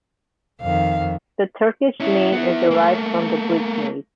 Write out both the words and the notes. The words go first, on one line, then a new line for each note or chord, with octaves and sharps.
The Turkish name is derived from the Greek name.
F2 D#3 F5
C#4 E4
B3 E4
A3 A#3